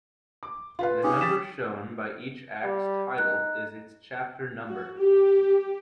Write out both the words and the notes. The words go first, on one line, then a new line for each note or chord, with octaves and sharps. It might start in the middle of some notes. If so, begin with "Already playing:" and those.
The number shown by each Act's title is its chapter number.
D6
F4 B4 F5
C#4 D#4 G4 G#4
A6 B6 E7
G3
D#4 F#6
F#4
G4